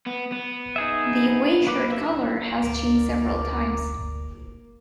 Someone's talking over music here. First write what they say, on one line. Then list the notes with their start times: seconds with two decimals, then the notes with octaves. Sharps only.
The away shirt colour has changed several times.
0.07 B3
0.32 B3
0.76 D#4 G#4 E5
1.67 A#3 B4 D6
1.92 E5
2.63 D2 A#3 A#4 D5